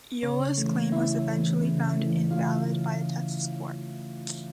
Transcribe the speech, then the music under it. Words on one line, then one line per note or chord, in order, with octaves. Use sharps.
Eolas' claim was eventually found invalid by a Texas court.
C#3 C#4 C#5
E3 A3
C#3 E4 E5
E3 A3
C#3
E3 A3
C#3 F4 F5